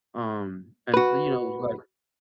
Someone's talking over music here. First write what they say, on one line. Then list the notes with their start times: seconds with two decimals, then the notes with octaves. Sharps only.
um, and so, you know, like
0.94 F#4 B4